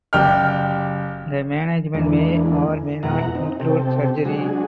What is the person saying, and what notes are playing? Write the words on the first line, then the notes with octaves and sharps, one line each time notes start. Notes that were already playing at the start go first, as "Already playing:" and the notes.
The management may or may not include surgery.
F#1 G4 D5 G5 F6
E2 E3 G#3 A#3 D4
F2 B2 G#3 E4 F#5 A#5
C4 D#4
C3 C4 G4 A4
F#3 G#3 D4 F#4 G#4